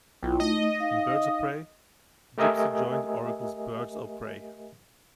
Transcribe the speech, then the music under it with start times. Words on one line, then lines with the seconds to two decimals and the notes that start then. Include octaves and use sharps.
In "Birds of Prey", Gypsy joined Oracle's Birds of Prey.
0.23 B1 E4 F4 G5
0.40 A3 D#4 D#5
0.80 D#4 F5
2.38 A3 G4 A#4 D#5 E5 G#5